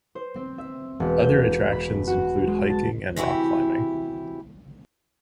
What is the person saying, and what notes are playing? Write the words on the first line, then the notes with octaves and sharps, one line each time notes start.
Other attractions include hiking and rock climbing.
C5
C4
E5
E1
G6
B5
F#4
G#3
A5
C3 E3 E4 F#4 G4